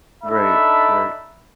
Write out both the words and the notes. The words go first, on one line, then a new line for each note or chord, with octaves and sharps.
Right, right.
D4 D#4 A4 E5 B5